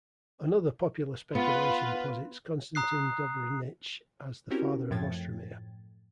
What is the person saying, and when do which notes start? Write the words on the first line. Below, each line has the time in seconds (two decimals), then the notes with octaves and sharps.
Another popular speculation posits Konstantin Dobrynich as the father of Ostromir.
1.35 B3 F4 B4
2.75 A#5 D#6 F#6 C7
4.51 C4 C#4 E4 F#4 G4 A#4
4.90 F#2 A2 F3 G5 G#6 A6